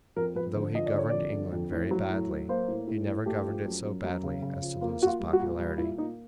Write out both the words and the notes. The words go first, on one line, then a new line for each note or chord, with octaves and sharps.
Though he governed England very badly, he never governed it so badly as to lose his popularity.
F2 A#4
F2 B4
D3 C5
F3 D#5
D5
D3 C#5
F2 D5
D3
F2
A2
F#3
A2
F#3
A#3 C5
A2
A2
A2
A3 G4
F3
F#2
F#2
F#2
C#3
C#3
F3
A#3 F4
A#3 F#4
F4
G3
F#4
A#2
G3
A#2 E4
A#3 D#4